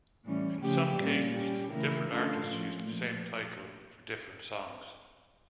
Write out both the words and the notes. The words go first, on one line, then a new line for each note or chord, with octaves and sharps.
In some cases, different artists used the same title for different songs.
A2 E3 G3 C#4
C#3 F3 A3 C#4 G4
A#2 G3 A#3 C#4
G3 C#4 G4
C#3 E3 A3 E4 A#4
D3 A3 C#4 F4 A4
A2 F3 C#4
A#2 F3 A3